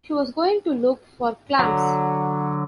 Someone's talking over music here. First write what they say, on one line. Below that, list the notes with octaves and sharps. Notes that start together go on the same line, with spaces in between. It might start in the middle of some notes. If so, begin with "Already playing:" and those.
She was going to look for clams.
D3 F#3